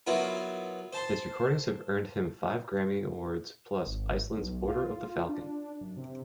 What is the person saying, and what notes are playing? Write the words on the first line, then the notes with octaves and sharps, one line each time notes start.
His recordings have earned him five Grammy awards plus Iceland's Order of the Falcon.
F#3 B3 E4 F4 A#4
C5 A5 C6
G#1
B1
F4
D4
F#2
C3